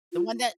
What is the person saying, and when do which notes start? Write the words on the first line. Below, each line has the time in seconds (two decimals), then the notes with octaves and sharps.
the one that
0.12 F4